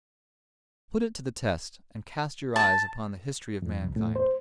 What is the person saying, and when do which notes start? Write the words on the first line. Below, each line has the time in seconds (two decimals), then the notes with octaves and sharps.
Put it to the test and cast your eyes upon the history of mankind.
2.56 A5
3.62 F2
3.83 C2
3.96 A2
4.16 C5